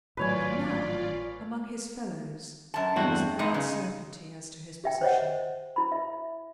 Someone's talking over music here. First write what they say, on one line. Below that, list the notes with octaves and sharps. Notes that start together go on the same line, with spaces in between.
But now, among his fellows, there was no uncertainty as to his position.
G#1 A2 F#3 F4 B4 C#5 D5 G#5
F#2 A5
E2 G2 C4 F#4
G2 G#3 D#4
C#3
G4 E5 G5
C5 C#5 D#5 F#5
E4 B5
E5